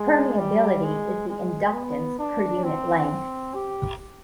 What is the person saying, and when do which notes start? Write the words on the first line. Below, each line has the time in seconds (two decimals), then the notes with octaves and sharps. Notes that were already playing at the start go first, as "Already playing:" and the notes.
Permeability is the inductance per unit length.
Already playing: G#3
0.38 G3
0.84 G#3
1.29 G#3
1.73 B3
2.18 D4
2.64 C4
3.54 G4